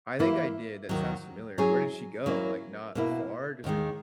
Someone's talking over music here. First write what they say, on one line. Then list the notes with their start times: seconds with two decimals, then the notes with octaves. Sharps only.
I think I did, that sounds familiar. Where did she go? Like, not far? Just like
0.19 E3 A#3 E4
0.89 D#2 D#3 F#3
1.58 F#3 C#4 E4 G#4
2.26 F#3 A#3 C#4 E4
2.95 B2 A#3 E4
3.64 D#2 D#3 G#3